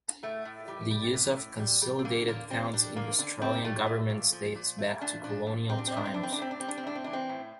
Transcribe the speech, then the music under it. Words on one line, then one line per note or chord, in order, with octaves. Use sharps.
The use of consolidated funds in Australian government dates back to colonial times.
A2 A3
A2
G3
G3
A2
A2
G3
G3
C4
D3 A#3
D3 A#3
G3 C4
G3 D4
D3 A#3
D3 D4
G3 C4
G3 A3
A3
A#2
F3
A#2
A3
A#2 D4
F3 D4
A#2
G3 C4
D4
C4
A2 D4
C4
E3 D4
C4
D4
A2 C4
D4
G3 C4
D4
C4
A2 D4
C4
E3 D4
C4
A2